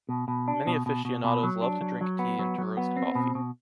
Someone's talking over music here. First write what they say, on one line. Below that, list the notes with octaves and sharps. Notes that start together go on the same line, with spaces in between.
Many aficionados love to drink tea and to roast coffee.
B2
B2
D4
B2
B2
B2
B2
F#3
D4
F#3
F#3
B3
F#3
F#3
B3
C4
B2
B2